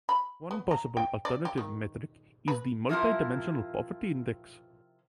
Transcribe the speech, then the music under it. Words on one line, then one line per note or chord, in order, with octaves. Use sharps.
One possible alternative metric is the Multidimensional Poverty Index.
B5
B3
A#5
G5
D5
G4
D#3
B4
C3 F3 E4 F4 G4 A#4